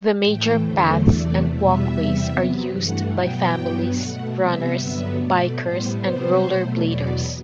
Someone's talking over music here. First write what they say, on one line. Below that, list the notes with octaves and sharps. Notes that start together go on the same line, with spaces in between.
The major paths and walkways are used by families, runners, bikers and rollerbladers.
A2 E3 A3 G5
E2 D3 F#3 A3 C5
E2 C3 E3 A3 D5
E2 B2 G3 B3 E5
E2 C3 G3
C3 F#3 B3
G2 E3 A3 F#5
B2 F#3 B3 G5
G2 F#3 B3
B2 A3 F#5
C3 G3 B3 E5
G2 D3 F#3 B3 E5
B2 A3 D5
A2 G3 B3 C5
C3 G3 B3 C5
B2 F#3 A3
E2 B2 F#3 B3 D5